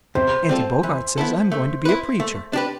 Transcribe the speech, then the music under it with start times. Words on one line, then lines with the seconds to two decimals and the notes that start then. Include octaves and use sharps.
Auntie Bogart says I'm going to be a preacher.
0.15 C3 C5
0.49 G3 C4 F4 A4
0.83 E3
1.18 B3 E4 A4
1.52 A3
1.85 E4 B4
2.20 A3
2.53 D4 G4 B4